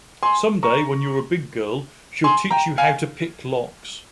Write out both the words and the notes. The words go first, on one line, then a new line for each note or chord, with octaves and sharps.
Someday, when you're a big girl, she'll teach you how to pick locks.
G#5 C6
A#5 C#6
G#5 C6
G5 A#5
F5 G#5